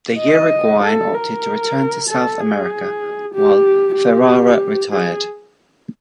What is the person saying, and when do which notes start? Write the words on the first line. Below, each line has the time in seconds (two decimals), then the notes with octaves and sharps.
The Uruguayan opted to return to South America, while Ferrara retired.
0.20 D#5
0.83 A4
1.14 A#4
2.09 A4
2.40 G#4
3.34 G4
3.97 G4
4.92 G#4